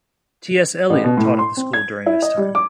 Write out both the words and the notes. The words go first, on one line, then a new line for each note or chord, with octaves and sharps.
T. S. Eliot taught at the school during this time.
A1
B2
A2
C6
C4
G#6
E4
D#5
G3
D6